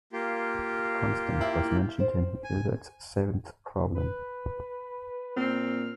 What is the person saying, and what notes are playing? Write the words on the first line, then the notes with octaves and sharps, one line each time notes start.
The constant was mentioned in Hilbert's seventh problem.
A#3 F4 G4
E4 G5
C5
G#5
B4
A#2 C4 F6